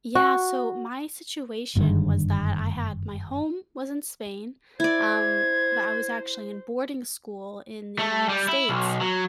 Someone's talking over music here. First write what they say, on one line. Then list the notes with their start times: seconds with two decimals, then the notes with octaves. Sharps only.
Yeah, so my situation was that I had my home was in Spain, um, but I was actually in boarding school in the United States,
0.15 F#4
1.75 F#1 G2 D3 D#3
4.80 E4 C5 D5 G#6
7.99 A3
8.29 G3
8.48 E4
8.69 B1
9.01 F#3